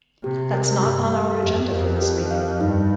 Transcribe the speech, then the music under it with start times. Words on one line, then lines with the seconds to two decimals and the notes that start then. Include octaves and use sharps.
That's not on our agenda for this meeting.
0.24 C3 G4
0.54 A#4
0.83 G2 G4
1.13 F5
1.42 F2 G4
1.71 F2 A#4
2.02 G4
2.31 F5
2.60 G2 D#4